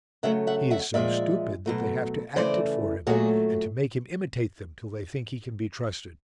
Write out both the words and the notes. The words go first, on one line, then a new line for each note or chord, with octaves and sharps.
He is so stupid that they have to act it for him, and to make him imitate them till they think he can be trusted.
C#3 F#3 A3 E5 F#5
E5 F#5
E5 F#5
A#2 F3 G#3 D5 E5
B2 F#3 A3
C#3 E3 A3 C5 D5
A#2 F#3 A3 F#4 G#4